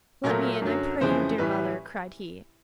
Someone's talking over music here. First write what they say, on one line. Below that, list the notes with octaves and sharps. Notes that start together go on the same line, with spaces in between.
'Let me in, I pray you, dear mother,' cried he.
A#2 F#3 A3 A#4
F#2 D3 F#3
F2 C#3 E3 G#3 C5
A2 E3 G3 B4